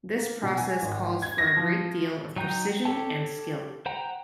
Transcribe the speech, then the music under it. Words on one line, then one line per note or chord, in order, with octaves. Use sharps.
This process calls for a great deal of precision and skill.
A#3
B2
G#5
G#1
G#6
A#6
F3
F#3 D#4 G5 A#5 G6
G4 A4 C#5 G5 A5
C5 F#5 G5 A#5